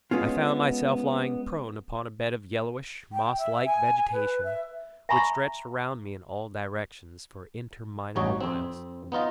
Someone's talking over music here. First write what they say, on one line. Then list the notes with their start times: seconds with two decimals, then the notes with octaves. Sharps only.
I found myself lying prone upon a bed of yellowish, mosslike vegetation which stretched around me in all directions for interminable miles.
0.11 G#3 B3 C#4 F4
3.13 G5
3.38 E5
3.66 G#5
4.13 B4
4.44 E5
5.09 E5 G#5 A#5 B5 C#6
8.16 A1 G3 D#4 F#4 C#5
8.41 F2 C4
9.12 B3 D#4 F4 D#5